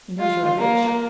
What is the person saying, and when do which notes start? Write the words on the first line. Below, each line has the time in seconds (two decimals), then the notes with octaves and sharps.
"He knows you are rich."
0.20 F4
0.59 A#3